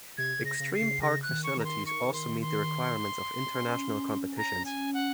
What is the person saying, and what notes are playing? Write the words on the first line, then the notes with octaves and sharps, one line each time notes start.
Extreme park facilities also meet the requirements of international competitions.
C3 G#6
C#3
A#6
C#3
C7
C#3
C#3 A#6
F#6
D#3
C#6
D#3 A#5
C6
C#6
C6
C6
C#4
A#5
G#5
F#5